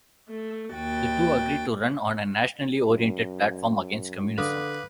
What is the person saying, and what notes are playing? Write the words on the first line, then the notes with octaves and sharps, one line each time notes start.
The two agreed to run on a "nationally oriented" platform, against communism.
A3
D#2 F#4 G5 A6
F#2
D3 B4 F5 D6 D#6